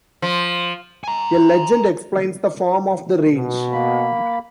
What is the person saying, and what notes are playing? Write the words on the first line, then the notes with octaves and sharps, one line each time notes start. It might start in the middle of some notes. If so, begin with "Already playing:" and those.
A legend explains the form of the range.
F3
G#5 A#5
B2
A#3 B5